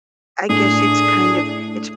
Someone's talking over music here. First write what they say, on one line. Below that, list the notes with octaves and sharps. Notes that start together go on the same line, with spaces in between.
I guess it's kind of, it's
A2 D4 G#4